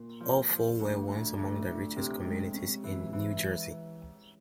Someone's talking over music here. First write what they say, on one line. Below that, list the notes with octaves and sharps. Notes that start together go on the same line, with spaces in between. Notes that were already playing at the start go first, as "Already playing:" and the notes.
All four were once among the richest communities in New Jersey.
Already playing: A#2
F3
F3
D2
D2
D2
D2
C3
G#3
C#4
E3
E3